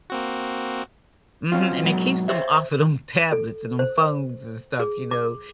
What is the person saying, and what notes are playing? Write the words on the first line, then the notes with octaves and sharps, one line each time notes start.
Mhm, and it keeps them off of them tablets and them phones and stuff, you know?
A#3 C4 F#4
F#3 C4 C#4 F4
G#2 B2 F#3
C5 C#5 E5
A4
C5
G#4
D6